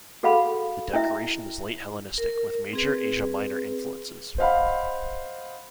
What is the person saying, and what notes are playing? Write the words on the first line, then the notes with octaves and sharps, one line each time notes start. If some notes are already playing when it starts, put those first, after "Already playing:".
The decoration is late hellenistic, with major Asia Minor influences.
F#4 G#4 A4 F5 F#5 B5
C#4 E4 E5
A#4
C4 G#4 B4
C5 D#5 F5 F#5 B5